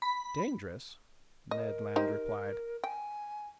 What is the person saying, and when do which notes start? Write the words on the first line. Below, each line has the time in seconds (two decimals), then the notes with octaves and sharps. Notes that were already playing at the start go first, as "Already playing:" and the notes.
"Dangerous?" Ned Land replied.
0.02 B5
1.51 A#4 D#5
1.96 D#4 G4 C5
2.84 G5 G#5